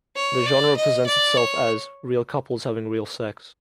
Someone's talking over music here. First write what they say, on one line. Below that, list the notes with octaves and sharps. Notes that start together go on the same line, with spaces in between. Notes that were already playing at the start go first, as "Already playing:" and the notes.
The genre presents itself as "real couples having real sex".
C#5
D5
D#5
D5
C#5